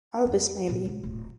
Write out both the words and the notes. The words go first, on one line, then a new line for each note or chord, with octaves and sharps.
Elvis maybe.
F2 E4
A#2 B3
C#2 F4
D1 A#2